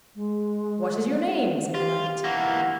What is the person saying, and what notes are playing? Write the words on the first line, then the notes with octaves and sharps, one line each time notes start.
What is your name? said the knight.
G#3
F4 G4
E3 A#3 F#5